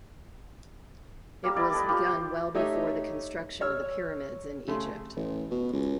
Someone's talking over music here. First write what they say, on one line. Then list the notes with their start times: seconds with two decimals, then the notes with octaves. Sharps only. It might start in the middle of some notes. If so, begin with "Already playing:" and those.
It was begun well before the construction of the pyramids in Egypt.
1.44 G3 A#3
1.56 E4 B4 D5 D#5
1.73 A4 B4 D#5
1.88 A#3 F4 G4
2.07 C5
2.54 A3 D#4 G4 C#5 D#5 E5
3.61 C#5 E6 F6
4.68 C#3 A3 C6
5.16 A1
5.51 B2
5.73 C#2